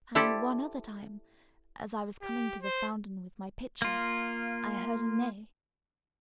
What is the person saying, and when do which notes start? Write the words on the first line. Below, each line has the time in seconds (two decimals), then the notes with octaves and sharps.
And one other time, as I was coming to the fountain with my pitcher, I heard a neigh.
0.15 E4 G4 A4 C5 D5
2.22 G4
2.62 C5
3.82 A#3 F4